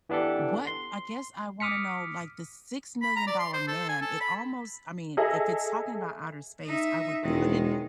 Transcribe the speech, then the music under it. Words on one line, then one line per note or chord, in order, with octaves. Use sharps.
what I guess I wanna know, like The Six Million Dollar Man, it almost I mean, if it's talking about outer space, I would put it
E3 B3 D4 G4 A4
C6
D6 D#6 F6 B6 C#7
B5
A#5
D5
C6
C5
A4
G#5
A4
B5
G#4 A4 D#5 E5
D#4 E5
E1 D#3 G#3